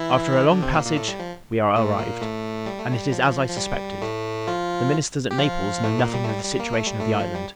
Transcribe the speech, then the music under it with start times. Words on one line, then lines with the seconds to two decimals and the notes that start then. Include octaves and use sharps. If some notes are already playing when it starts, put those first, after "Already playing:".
After a long passage, we are arrived; and it is as I suspected--the ministers at Naples know nothing of the situation of the island.
Already playing: E3 E4
0.51 D3 D4
0.62 C3 C4
0.74 A#2 A#3
0.85 A#2 A#3
0.97 A2 A3
1.08 G3
1.20 F3
1.76 A2 A3
1.98 A#2 A#3
2.21 A2 A3
2.66 G3
2.80 A3
2.92 G3
3.12 F3
3.50 F3
3.57 G3
4.02 A2 A3
4.47 F3 F4
5.31 G4
5.38 F3 F4
5.84 A2 A3
5.99 A#2 A#3
6.14 G3
6.24 A3
6.29 G3
6.44 G3
6.60 A#3
6.73 A3
6.87 G3
7.01 A2 A3
7.20 F3
7.35 G3